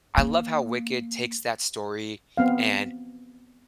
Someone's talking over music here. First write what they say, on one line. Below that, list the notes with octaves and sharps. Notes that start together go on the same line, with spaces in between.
I love how Wicked takes that story and
A#3
B3 C4 F5